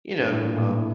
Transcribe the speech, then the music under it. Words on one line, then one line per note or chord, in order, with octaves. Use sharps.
you know, um
G2
A2
A#2
A2
A2